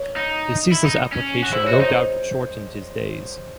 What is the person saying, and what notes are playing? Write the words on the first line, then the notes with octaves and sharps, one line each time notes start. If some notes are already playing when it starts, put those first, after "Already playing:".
His ceaseless application no doubt shortened his days.
Already playing: C#5
D#4
E4
D#4
C#4
F#4
E4 C5
C#5
F#4
C5 D#5
D#4